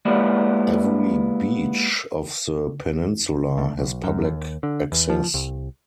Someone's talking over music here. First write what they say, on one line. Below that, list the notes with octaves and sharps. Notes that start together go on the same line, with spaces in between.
Every beach of the peninsula has public access.
G#3 A#3 B3 E4 G4 D5
D2
B1
F#2
D#2
D3
E2
F3
C2